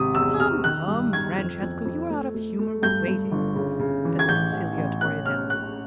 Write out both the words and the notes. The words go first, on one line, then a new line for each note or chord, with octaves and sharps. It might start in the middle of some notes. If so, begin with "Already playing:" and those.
"Come, come, Francesco, you are out of humour with waiting," said the conciliatory Nello.
Already playing: G#1 C3 D#6
E2 E6
C3 F6
D#3 F#6
G2
D#3 G#6
F2
F2
F2
A3
A3
A3
G2 G6
G2
G1
C#3
C#3
E3
G#6
A1 G6
A1
A1
C#4 F#6
C#4 F6
C#4 F#6